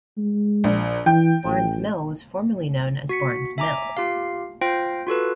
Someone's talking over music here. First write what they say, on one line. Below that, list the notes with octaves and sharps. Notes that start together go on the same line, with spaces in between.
Barnes Mill was formerly known as Barnes Mills.
G#3
A#1
E3 G5
A1
F#4 B6 C#7
E5 G#5 A#5 D6
F4 G4 F5
F4 C5 F5 G5 A#6 D7
F4 F#4 A4 B4